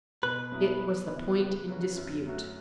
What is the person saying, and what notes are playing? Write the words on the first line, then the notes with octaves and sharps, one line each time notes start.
It was the point in dispute.
B2 B4
F#3 B3 E4
E2
E3 B3
C#3
F#3 C#4 F#4
F#2
F#3 A3 F#4